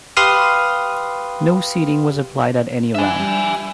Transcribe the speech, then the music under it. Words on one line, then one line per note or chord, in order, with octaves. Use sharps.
No seeding was applied at any round.
G4 B4 F5 C6 D#6 F6
D4 E5 G#5
G3